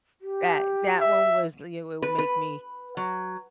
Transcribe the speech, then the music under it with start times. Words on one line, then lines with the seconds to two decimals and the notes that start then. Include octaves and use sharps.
That that one was you w would make me
0.21 G4
1.01 E5
2.02 B4
2.19 B4
2.97 F#3